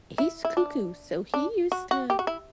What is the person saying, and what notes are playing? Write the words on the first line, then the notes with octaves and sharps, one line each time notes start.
He's cuckoo. So he used to
E4
E4
D4
D4
F#4
F#4
G4
F#4
E4